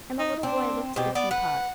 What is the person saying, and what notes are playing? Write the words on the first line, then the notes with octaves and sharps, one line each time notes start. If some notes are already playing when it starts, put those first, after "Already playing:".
And the little boy looked at the tea-pot.
D#4
C4 D4
B2 C4 G4
B3 D5
B4 F#5